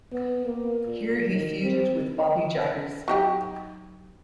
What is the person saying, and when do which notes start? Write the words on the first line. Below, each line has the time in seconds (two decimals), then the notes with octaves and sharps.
Here he feuded with Bobby Jaggers.
0.12 B3
0.45 A#3
0.86 A#2
1.26 D#3
1.62 C4
3.08 F#3 D#4 G4